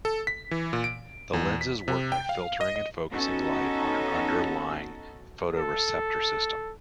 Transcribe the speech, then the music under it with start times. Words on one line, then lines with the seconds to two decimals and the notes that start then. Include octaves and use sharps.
The lenses work by filtering and focusing light on an underlying photoreceptor system.
0.05 A4
0.27 B6
0.51 E3
0.73 A#2
0.84 D7
1.33 E2
1.61 B6
1.88 C3
2.12 G5
2.29 F5
2.61 D#5
2.76 D#5
3.12 B3 C#4 D#4 F#4 A4
5.58 A4